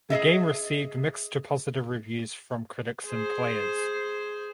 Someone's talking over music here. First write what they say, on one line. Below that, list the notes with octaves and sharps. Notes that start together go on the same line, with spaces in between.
The game received mixed to positive reviews from critics and players.
G#4 A4 D#5 E5
G#4 C5